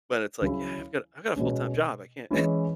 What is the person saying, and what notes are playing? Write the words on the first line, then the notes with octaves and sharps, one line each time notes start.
but, it's like, "Yeah, I've got I've got a full time job I can't"
C#3 F#3 C#4 E4
B2 G#3 C#4
E3 G#3 C#4 E4